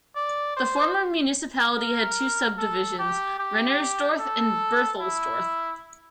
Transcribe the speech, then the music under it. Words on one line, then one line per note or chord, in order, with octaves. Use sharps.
The former municipality had two subdivisions: Rennersdorf and Berthelsdorf.
D5
C5
A#4
A4
G4
G4
A4
E4